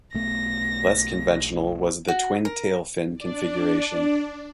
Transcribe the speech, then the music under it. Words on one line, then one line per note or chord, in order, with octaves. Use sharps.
Less conventional was the twin-tailfin configuration.
B1 A3 B3 A#6
F#4
A#4
D4 D5